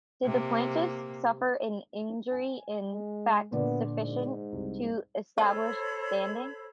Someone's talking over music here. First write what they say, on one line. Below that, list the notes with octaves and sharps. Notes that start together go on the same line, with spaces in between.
Did the plaintiffs suffer an injury in fact sufficient to establish standing?
C3 A#3
G#5
G#3
A#2 D3 B3 D5
G#2
C2
F4 A4 C5 C#5 B5